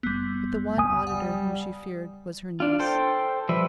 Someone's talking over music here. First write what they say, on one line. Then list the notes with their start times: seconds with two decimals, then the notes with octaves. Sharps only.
But the one auditor whom she feared was her niece.
0.03 F#1 G3 B3
0.77 C#2 G#5 D#6
1.07 G3 F#5
2.60 D4 F4
2.79 A4 C5 G5
3.49 F3 G3 B4 E5